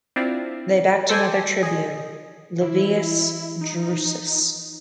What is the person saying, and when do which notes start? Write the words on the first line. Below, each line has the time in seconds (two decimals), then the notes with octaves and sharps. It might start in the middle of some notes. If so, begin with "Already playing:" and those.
They backed another tribune, Livius Drusus.
0.16 C4 D4 E4 F4
1.09 A4 C5 G5 G#5 D6 G#6
1.63 G#4 D#5
2.61 E3 E4 F4 D7
3.61 D#4